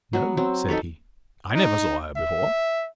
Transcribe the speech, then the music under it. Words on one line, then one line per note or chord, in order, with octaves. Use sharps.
No, said he, I never saw her before.
F#3 B3 F#4
F#3 C4
D#4 A4 B4 C#5
D#4
E5